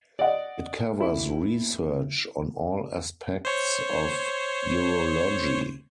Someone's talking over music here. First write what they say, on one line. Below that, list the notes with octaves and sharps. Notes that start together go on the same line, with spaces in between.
It covers research on all aspects of urology.
D5 D#5 F#5
E4
C5 C#5